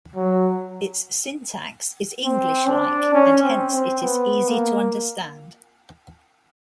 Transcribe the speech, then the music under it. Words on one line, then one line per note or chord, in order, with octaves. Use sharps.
Its syntax is English-like and hence it is easy to understand.
F#3
C4
D4
C#4
C4
C4
B3
A#3